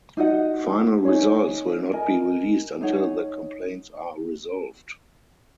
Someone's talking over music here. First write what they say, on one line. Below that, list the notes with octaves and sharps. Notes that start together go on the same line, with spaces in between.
Final results will not be released until the complaints are resolved.
D#4 F#4 D#5 F#5
D#4 G#4 C#5
A#4 D#5 G#5
D#4 G#4 C#5 F#5